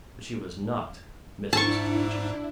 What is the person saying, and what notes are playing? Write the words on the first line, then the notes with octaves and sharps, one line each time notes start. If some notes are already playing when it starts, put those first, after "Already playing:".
But she was not mistress of the kitchen.
G#2 D4 E4 A5 C#6